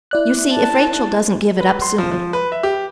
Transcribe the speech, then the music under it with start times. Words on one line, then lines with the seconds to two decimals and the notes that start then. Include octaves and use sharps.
You see if Rachel doesn't give it up soon.
0.11 E4 D5 F#6
0.52 A5
1.60 B4
1.82 C6
1.98 F3
2.12 F3
2.33 B4
2.52 E5
2.63 G4